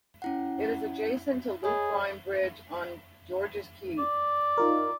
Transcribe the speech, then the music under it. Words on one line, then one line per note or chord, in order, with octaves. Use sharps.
It is adjacent to Loopline Bridge on George's Quay.
C#4 E4 F#5
G#4 C#5 D#5 B5
D5
D#4 F4 A#4